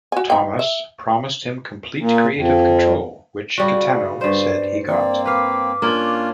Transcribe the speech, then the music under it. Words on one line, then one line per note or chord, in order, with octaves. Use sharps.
Thomas promised him complete creative control, which Kitano said he got.
F#4 G#5
D#4 G5
E5
A#2
F2
C#3 G3 F#4 D5
G2 C5 D5
A#3 C4 D5
B4 F5 D6
A#3 C#4 D4 F4